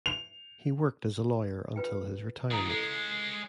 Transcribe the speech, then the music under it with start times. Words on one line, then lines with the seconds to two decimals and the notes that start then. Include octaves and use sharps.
He worked as a lawyer until his retirement.
0.06 F7
1.76 F4 B4 G5
2.51 G2 D#3 E4 D#6
2.70 G#3 C#4 A4